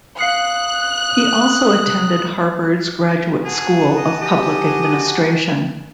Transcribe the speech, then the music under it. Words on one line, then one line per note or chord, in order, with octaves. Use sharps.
He also attended Harvard's Graduate School of Public Administration.
F5 D#6 F#6 C7 C#7
F#4 G#4 G#5 A5
D#5
G4 D#5